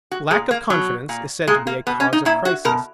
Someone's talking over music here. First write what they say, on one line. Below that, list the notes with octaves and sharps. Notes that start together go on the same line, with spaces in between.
Lack of confidence is said to be a cause of crises.
F#4
A#2 G#3
A#3
B2 F#3
A#2
A#2 G#3
A#3
B2 B3
C#4
D#4
A#2 E4
F#4
B2 A#4